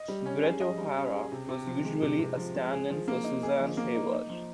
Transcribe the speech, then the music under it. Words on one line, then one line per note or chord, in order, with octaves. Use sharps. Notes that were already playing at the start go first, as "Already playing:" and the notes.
Brett O'Hara was usually a stand-in for Susan Hayward.
Already playing: D#5
G3
C#4
G#4
D#5
G3
C#4
G#4
C3
C3
F3
G#3
C3
C3
F3
G#3
G#4
F3
A#3
D#4
G#4
F3
A#3
D#4
D#4
F3